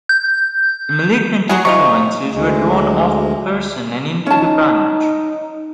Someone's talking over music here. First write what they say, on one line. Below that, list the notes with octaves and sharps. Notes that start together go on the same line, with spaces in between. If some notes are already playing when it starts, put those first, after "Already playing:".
The malignant influences were drawn off the person and into the branch.
G6
F#3 F#4 G#4
C3 D#4 F4 C#6
D2 G#3
C#4 D#4 A5